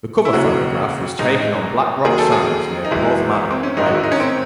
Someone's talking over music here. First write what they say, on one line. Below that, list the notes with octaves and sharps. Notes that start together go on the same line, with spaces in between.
The cover photograph was taken on Black Rock Sands near Porthmadog, Wales.
E4
E1 D#2 C#3 F#4
A1 A2 G#3 D#4
D#2 D#3 F#3 G#4
A4
G#4
D#4
G#1 F#2 E3 G#3 E4
C4
C#4
A1 G#2 D#3 G#3 D#4
F#4
E4
D#4
C#4
C4